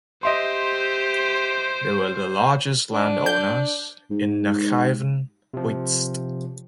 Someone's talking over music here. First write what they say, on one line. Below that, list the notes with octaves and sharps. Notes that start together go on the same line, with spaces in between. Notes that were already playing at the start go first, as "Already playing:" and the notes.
They were the largest landowners in Nakhchivan uyezd.
G4 C5 D#5 E5 C6
D4
G6
G#2
C3 F3